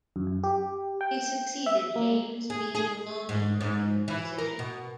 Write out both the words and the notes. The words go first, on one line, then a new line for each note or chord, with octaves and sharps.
He succeeded James B. Longacre in the position.
F#2
G4
G5
E5
A#3
G#4
G#4
G#2
G#2
E3
A#4
B2